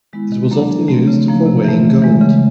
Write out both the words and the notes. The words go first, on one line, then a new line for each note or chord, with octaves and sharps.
It was often used for weighing gold.
D#3 G#3 B3 E4
D#3
F#3 A#3 D4
F3
A3 C4
C#3
F3 A#3 D#4
C3
E3 A3
C#3
E3 G#3
C#3